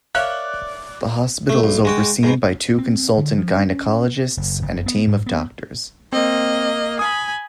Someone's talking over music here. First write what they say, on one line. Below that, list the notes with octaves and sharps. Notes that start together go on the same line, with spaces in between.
The hospital is overseen by two consultant gynaecologists and a team of doctors.
A#4 C#5 D5 E5 F5 F#6
A3
B1
G#3 F#4 G5
G#2 B2
C4
D3
F3
C#4
F#1
F#1
B3
G#2
B3
A#3 C4 D#5
G#5 B5 D#6